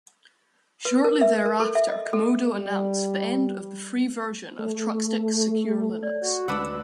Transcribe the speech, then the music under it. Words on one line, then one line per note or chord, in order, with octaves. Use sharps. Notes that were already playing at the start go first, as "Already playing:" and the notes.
Shortly thereafter Comodo announced the end of the free version of Trustix Secure Linux.
B4
A#4
E5
A#4
A4
E5
D#5
A4
G3
A3
C#5 D5
F#4
D2 G#3 D4 B4 F#5 E6